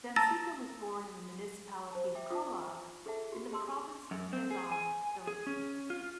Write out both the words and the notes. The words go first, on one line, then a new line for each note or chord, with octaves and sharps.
Danseco was born in the municipality of Calauag in the province of Quezon, Philippines.
A5 A#5 E6 A6 A#6
C5 A5
E5 G5 D6
D#4 F4 C5 F#5 D6 D#6
G#4 A4 E5 F#5 A5
F#4 G4
G4 G#4 D#5 A5 C6 E6
F#2
C4
G#4
G#5
G#4
C#4
F4